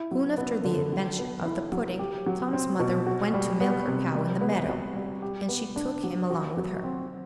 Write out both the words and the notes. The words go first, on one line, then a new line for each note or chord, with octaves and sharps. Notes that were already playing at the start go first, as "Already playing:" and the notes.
Soon after the adventure of the pudding, Tom's mother went to milk her cow in the meadow, and she took him along with her.
Already playing: E4
F#3
B3
D3
F#3
B3
E4
F#3
G4
F#3
C4
B2
F#4
G3
B3
C3
G3
B3
F#4
G3
G4
B3
D4
F#3
F#4
F#3
C4